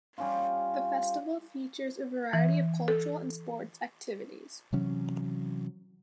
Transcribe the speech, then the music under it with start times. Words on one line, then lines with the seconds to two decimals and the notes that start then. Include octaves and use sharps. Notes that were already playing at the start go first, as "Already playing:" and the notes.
The festival features a variety of cultural and sports activities.
0.18 G3 C#4 F4
2.33 E3
2.88 A4
4.73 C3 E3 F#3 C#4